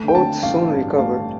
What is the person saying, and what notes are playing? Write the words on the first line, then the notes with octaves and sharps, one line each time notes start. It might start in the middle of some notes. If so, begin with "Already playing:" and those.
Both soon recovered.
Already playing: A3
G5
D3 A5
A1 F5
G2 F5
A3 F5